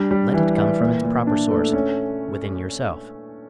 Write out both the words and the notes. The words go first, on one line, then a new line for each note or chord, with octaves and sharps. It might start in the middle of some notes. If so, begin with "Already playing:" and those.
Let it come from its proper source--within yourself.
Already playing: G3 D4
G3
E3
E3
A#2
A#2
D4
A3
C#4